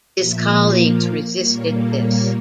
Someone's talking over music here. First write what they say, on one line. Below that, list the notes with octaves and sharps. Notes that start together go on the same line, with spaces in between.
His colleagues resisted this.
A#2 F3 A#3 E5
F5
A#2 G3 A#3 C#5
A4
C#5